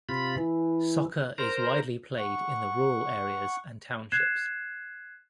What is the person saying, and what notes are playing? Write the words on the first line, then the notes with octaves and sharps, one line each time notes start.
Soccer is widely played in the rural areas and townships.
C3 F4 B5
E3
A#4 C5 A#5
F#5 C#6
F#6 G#6 C7 E7